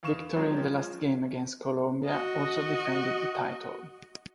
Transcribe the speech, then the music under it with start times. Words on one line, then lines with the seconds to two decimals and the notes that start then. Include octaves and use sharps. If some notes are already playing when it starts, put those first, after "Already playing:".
Victory in the last game against Colombia also defended the title.
0.03 E2 F5 C#6 E7
0.36 D#3 F3 F#3 G#3 C4
0.52 F3 G#3 C#4
2.05 F#4 D#5